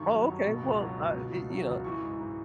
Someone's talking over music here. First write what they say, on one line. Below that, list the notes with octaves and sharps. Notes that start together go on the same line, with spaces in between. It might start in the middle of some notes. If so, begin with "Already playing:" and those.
oh, okay, well, uh, y you know, eh
Already playing: G2 D#3 C#6
F#3
G2
B2
C#2
F#3
C#2
B2
C#2
F#3
C#2
E3 C#6
G#2
G#2